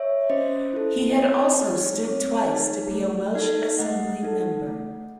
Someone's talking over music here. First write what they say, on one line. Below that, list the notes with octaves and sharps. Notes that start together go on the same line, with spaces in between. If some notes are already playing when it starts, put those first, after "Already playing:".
He had also stood twice to be a Welsh Assembly Member.
Already playing: C#5 E5
C#4 C5 D#5
E4 A4
D#5
C4 C#5
D#4 G#4
C4 C#5
D#4 G#4
A3
D#4 A4
A3 D#5 F#5
D#4 A4
A3